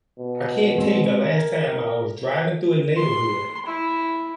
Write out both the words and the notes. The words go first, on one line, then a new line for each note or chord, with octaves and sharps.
I can't tell you the last time I was driving through a neighborhood,
B2
G#3 C4
A#4 G#5
A#4
C6
E4